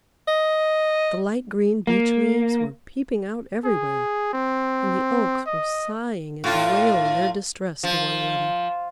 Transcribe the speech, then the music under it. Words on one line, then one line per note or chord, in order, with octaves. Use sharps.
The light-green Beech leaves were peeping out everywhere, and the Oaks were sighing and bewailing their distress to one another.
D#5
A#3
G#4
C4
D#5
A2 F4
F3